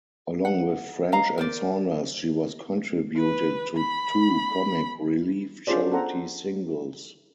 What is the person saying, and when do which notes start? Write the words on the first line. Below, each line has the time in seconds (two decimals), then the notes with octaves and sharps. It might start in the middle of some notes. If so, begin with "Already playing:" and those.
Along with French and Saunders, she has contributed to two Comic Relief charity singles.
0.45 F#5
1.12 D#5 F5 A#5
1.38 A#4 C5 D5
3.17 B4
3.77 B5
5.67 C#4 D4 F4 G#4 C5 D5
5.91 B3 A4 C5 F#5 A#5